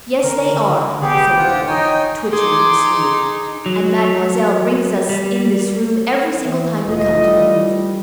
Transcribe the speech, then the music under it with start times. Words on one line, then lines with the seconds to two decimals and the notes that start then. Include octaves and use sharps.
"Yes, they are," said Adela, twitching her sleeve, "and Mademoiselle brings us in this room every single time we come to the Louvre."
0.23 D3 A#4
0.69 D3
1.02 F1 B3 G4 G#4
1.38 E1 F4 C5 F#5
1.67 D#4 C#5 G5 G#5
2.33 D#4 G#4 C6 D6
3.66 F#3
5.09 G3
6.45 E3
6.87 F1 A3 F4 D#5
7.23 G3